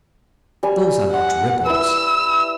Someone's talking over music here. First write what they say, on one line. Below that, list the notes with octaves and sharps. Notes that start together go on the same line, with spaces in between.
Those are not ripples.
G3 G#5
F#5
E4 B4 E6